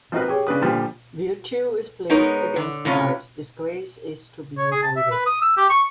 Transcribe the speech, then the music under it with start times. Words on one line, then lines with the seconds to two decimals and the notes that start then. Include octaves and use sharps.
"Virtue" is placed against "Vice", "Disgrace" is to be avoided.
0.12 F3 C4 D#4 F#4 A#4 B4
0.28 G4 G#4 C#5
0.47 C#3 D4 B4 D#6
0.62 A#2 D3 F3 G3
2.09 G#3 B3 D#4 A#4 C#5
2.56 D3
2.85 A2 C3 C#4 F4
4.58 C#5
4.72 G#4
4.83 A5
4.96 E5
5.12 B4
5.26 D#6
5.42 E6
5.57 G4
5.70 C#6